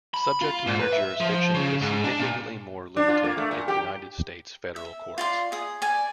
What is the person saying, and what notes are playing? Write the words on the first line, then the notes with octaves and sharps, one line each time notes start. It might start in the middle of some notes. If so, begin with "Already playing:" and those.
Subject-matter jurisdiction is significantly more limited in United States federal courts.
B5
F4
G#2
B4
E5
F3
C#3
G#2
D4
A#2
D4
F4
A#3
A3
A#2
G4
E5
F4 D5 C6
G#4 D#6
D5 G#5